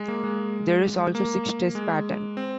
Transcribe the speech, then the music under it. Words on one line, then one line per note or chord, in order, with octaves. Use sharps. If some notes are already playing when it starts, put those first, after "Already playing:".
There is also six-stress pattern.
Already playing: G#3
A#3
G#3
A#3
G#3
C4